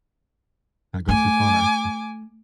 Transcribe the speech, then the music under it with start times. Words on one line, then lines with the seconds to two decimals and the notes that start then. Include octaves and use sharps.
not go too far. Yeah.
1.09 A3 G#5 D6